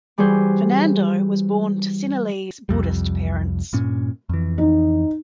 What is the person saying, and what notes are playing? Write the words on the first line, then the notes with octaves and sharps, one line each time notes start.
Fernando was born to Sinhalese Buddhist parents.
E3 G3 F#4 G#4 C5
C2 F2 G3
G2 A#2 C#4
F2 E3
D#4